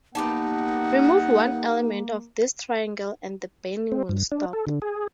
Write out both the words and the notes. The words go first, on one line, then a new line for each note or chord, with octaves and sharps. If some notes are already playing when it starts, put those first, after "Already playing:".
Remove one element of this triangle and the burning will stop.
A#3 B3 D#4 G4 F#5 A5
C4
G2
D4
A4
D3
G#4